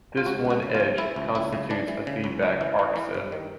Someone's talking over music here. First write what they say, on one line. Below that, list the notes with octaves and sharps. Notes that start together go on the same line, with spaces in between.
This one edge constitutes a feedback arc set.
F4
C#2 F#4
C#2
F#4
C#3
F4
E3
E3 E4
C#2
C#2 E4
C#3
E3 D4
E3
C#3
C#2
C#2
E3
E3
E3
G2
D#3